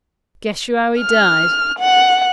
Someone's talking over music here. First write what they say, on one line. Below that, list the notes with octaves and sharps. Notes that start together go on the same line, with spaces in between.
Guess yo' how he died?'
F6
F#5